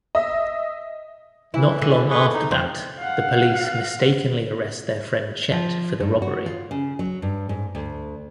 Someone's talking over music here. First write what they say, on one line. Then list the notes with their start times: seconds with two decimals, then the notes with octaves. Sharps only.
Not long after that, the police mistakenly arrest their friend Chet for the robbery.
0.15 D#5 E5
1.54 E3 E4
1.82 D3
2.11 G#4 B4 C#6
2.34 D#4
2.51 F2 C5
2.99 F5 F#5
5.52 F3
6.00 G2
6.22 F#4
6.46 F4
6.71 C#3
6.99 F#3
7.22 G2
7.49 G#2
7.75 D2